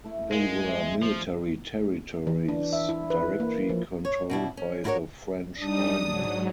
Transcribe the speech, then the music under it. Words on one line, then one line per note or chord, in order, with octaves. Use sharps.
They were "Military Territories", directly controlled by the French Army.
A3 E4
G#3 F4 A#4 F5
G2 E5
F3
E3
D4
E5
E4
B4
A#3
F3
C#5
B2 D4 E4
C#4
D4 E4 F#4 A#4 C#5
G3 D4 D#4 D#6
G#2 F#3